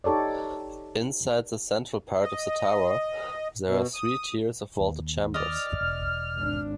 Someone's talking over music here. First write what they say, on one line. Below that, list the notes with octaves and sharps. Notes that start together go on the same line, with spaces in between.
Inside the central part of the tower there are three tiers of vaulted chambers.
D#4 G4 A4 C#5 D5
D#5
B2
D#6
D#2
D5 D#5 F6
E1
G#1 D4